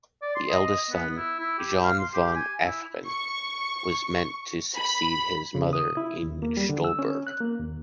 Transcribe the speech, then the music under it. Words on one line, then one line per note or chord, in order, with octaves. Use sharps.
The eldest son, Johann von Efferen, was meant to succeed his mother in Stolberg.
D5
C6
D#5
B3
E4
E4
G4
F5
C6
G4
G#5
E4
C#6
B5
C#3
D#6
E4
D#2
A#3
G3
D3
E6
C#4
F#6
A#3
D#2